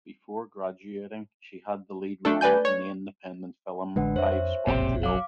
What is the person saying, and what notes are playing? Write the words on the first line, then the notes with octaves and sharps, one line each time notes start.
Before graduating, she had the lead role in the independent film "Five Spot Jewel".
A3 D4 A4
B4 D5 G#5 G6
C#5
A1 D3 G#3 D4 B4 F#5
F2 C5 C#5 E5
F#1 B1 F2 A#2 C4 G4
F#3 F5 D6